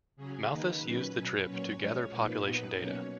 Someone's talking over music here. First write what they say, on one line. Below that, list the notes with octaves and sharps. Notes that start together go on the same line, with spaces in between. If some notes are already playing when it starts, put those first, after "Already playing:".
Malthus used the trip to gather population data.
C#3 F#3 C#4 G#4
D#3 A#3 D#4 B4
A#2 F#3 C#4
B2 F#3 C#4
A#2 F#3 C#4 C#5
F3 G#3 C#4 C#5
A#2 F3 A#3 D#4 B4
A#2 F#3 B3 D#4 B4
B2 F#3 A#3 C#4 C#5